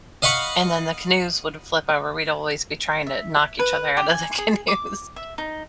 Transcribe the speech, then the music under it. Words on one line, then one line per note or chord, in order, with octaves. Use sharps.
and then the canoes would flip over. We'd always be trying to knock each other out of the canoes
D#5 F5 F#5 B5 C#6
E5
B4
G4
G#5
G#4
D6
E5
D#4